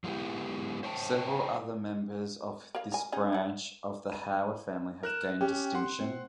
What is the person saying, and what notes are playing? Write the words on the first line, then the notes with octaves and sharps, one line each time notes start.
Several other members of this branch of the Howard family have gained distinction.
F3 G#3 B3 E4 G4
C5 C#5 G5 A5
A#4 C#5 F5
A#4 G#5
C#4 D#4 G#4
G3 F#5
D#7
A#4 F#6 E7
C#4 G4
F#5 C6
C4